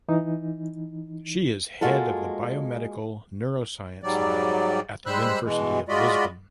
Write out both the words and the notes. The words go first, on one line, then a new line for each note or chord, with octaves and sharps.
She is head of the Biomedical Neuroscience Lab at the University of Lisbon.
E3 D#4
G#3 A#3 F4 F#4 A4
G#2 F#3 G3 D5
G3 G#3 C5 B5 E6 F#6
B2 E3 G#3
G#3 F4 F#4 D5 D#5 B5